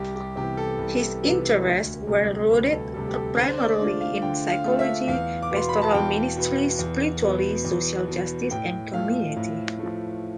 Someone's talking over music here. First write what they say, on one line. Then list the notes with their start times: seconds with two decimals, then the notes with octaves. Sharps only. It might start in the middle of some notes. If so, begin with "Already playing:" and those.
His interests were rooted primarily in psychology, pastoral ministry, spirituality, social justice and community.
Already playing: C2 G4
0.15 G4
0.36 C3 E3 B3 G4
0.57 A4
0.79 C2
1.23 C3 E3 B3
1.65 D2
2.07 C3 G3
2.50 D2 B4
2.72 A4
2.94 C3 G3 A4
3.08 G4
3.14 A4
3.36 D3 C5
3.49 C5
3.58 D5
3.79 A3 D4 F4 D5
4.01 F5
4.22 D3 G5
4.51 F5
4.65 A3 D4 F4
4.79 E5
5.08 E2 F5
5.42 D6
5.51 B2 B3
5.56 C6
5.69 B5
5.82 A5
5.94 E2 G5
6.36 B2 B3
6.79 E2
7.23 B2 B3
7.65 E2
8.08 B2 B3
8.51 A2 G5
8.93 F3 A3 F5
9.36 A2
9.79 F3 A3